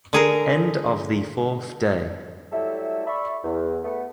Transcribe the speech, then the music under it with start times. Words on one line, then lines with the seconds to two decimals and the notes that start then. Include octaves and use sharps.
End of the fourth day.
0.13 D3 G#4 A#4
2.53 F#3 G3 A3 E4 A4 E5
3.07 D5 E5 B5 C#6
3.44 E2
3.84 A3 B3